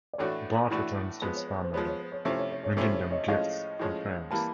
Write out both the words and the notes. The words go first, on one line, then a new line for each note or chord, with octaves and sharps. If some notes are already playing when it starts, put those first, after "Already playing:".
Bart returns to his family, bringing them gifts from France.
D5
A2 E3 A3 D4 F#4 C#5
A2 E3 A3 D4 F#4
F3 G#3 B3 C5
C#5
C#5
C5
F3 G#3 B3 C#5
C#5
C5
C#5
C3 F3 A3 C#4 E4 C5
C#5
C#5
C#5
C3 F3 A3 C#4 E4 C5
C#5
C#5 D#5
A2 F3 G#3 C#4 D#5 F5
A2 F3 G#3 C#4
E3 G3 A#3 A5 B5